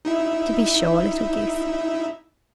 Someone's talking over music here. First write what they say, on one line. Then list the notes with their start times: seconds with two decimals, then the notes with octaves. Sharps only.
'To be sure, little goose.
0.05 D#4 E4 E5